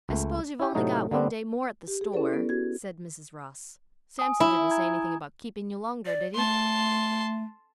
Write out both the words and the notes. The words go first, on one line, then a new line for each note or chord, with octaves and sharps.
"I s'pose you've only got one day more at the store," said Mrs. Ross. "Sampson didn't say anything about keeping you longer, did he?"
C#2 A3
E4 G4
A2 C3 F#3 A3 D#4
D3 G3 B3 C4 D4
G4
G4 G#4
C#4 E4 A4 B4 D5
B3
F#4 G#6
G#5 D#6
E4
A#5 G#6
D5
A3 A5 C6